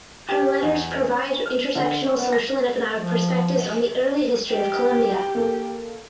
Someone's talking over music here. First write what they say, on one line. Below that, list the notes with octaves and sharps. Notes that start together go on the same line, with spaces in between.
Her letters provide intersectional social and economic perspectives on the early history of Colombia.
G4
E2
C#4
F6
D3
C#4
B3
A#6
F3
G4
A#3 A4